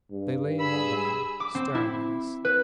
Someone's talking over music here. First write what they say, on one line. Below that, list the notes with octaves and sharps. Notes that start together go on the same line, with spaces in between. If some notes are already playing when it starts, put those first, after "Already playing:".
They lay immobile--staring at us.
G2
G#4 B5 E6
D6
C4
E4
B4